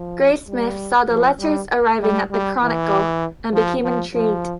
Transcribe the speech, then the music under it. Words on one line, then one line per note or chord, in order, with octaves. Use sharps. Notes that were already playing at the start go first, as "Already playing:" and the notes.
Graysmith saw the letters arriving at "The Chronicle" and became intrigued.
Already playing: F3
G3
F3
G3
G3
G3
E3
F3
F3
F3